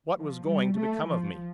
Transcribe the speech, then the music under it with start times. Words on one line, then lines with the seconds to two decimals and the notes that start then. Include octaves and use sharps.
What was going to become of me?
0.17 F3
0.46 G3
0.76 A3
1.07 F3